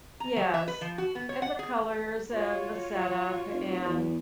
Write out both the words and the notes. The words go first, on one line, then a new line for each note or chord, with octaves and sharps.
Yes, and the colors and the setup, and
A#5
F#3
E5
B4
F3
F#4
B3
C#5
F#5
G#4
F4 F#4 C#5
F1
E2 B3